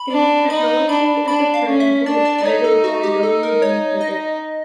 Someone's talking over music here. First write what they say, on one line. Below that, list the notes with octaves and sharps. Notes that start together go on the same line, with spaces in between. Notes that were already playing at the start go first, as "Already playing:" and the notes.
In "Technology at the Turning Point", edited by W. B. Pickett.
Already playing: B5
D4
D#4 B5
D4 B5
D4 B5
F5
C#4
E5
D4 D5
D5
D5
D#4 C#5
A4
F#4
G4
A4
A#4
C#5
D#5